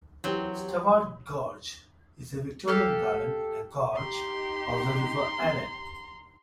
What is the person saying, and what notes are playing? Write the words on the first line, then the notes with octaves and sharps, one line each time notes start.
Staward Gorge is a Victorian garden in a gorge of the River Allen.
E3 F#3 C4 G4
G4 A4 F5
D#4 G4 A#5 C6